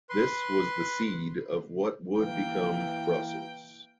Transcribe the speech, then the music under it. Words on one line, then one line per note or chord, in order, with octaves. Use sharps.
This was the seed of what would become Brussels.
B4 C6
E3 A#3 G5